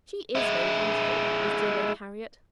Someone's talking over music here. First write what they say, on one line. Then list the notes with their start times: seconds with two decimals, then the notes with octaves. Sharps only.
She is very fanciful, is dear Lady Harriet!
0.35 G#3 E4